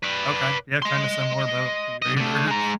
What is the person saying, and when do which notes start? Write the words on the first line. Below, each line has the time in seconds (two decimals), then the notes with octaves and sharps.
Okay, yeah, kinda similar boat. You're either
0.03 B4 D5
0.82 D#5 C6
2.02 B1 D#5
2.17 D3 A3
2.47 G#3 A#5